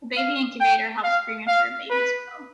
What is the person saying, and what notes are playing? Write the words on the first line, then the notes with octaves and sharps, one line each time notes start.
A baby incubator helps premature babies grow.
F5
G5
F5
F5
B4